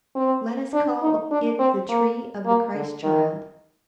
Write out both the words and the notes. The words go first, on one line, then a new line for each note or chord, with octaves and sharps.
Let us call it the tree of the Christ-child.
C4
D4
D#4
D4
C4
A#3
A#3
D3
D#3